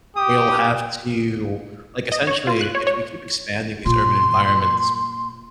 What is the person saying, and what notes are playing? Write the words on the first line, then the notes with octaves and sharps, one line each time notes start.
we'll have to, like, essentially, if we keep expanding these urban environments,
G4 D#6
D#5
C#5
F4
F#6
C#5
C#5
A#2 C6